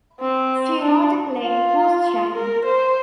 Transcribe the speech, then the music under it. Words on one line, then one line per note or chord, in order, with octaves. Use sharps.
She wrote a play Whose Child?
C4
D4
F4
A#4
C5